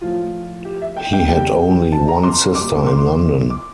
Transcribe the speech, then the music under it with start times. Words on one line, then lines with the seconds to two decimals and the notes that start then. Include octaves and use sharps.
He had only one sister in London.
0.01 A2 F3 F4
0.65 G4
0.82 E5
0.97 G5
1.13 G5
1.29 C3 G3 G5
1.92 A5
2.08 A#5
2.23 C6
2.55 A#2 G3 D6
2.87 C6
3.50 D6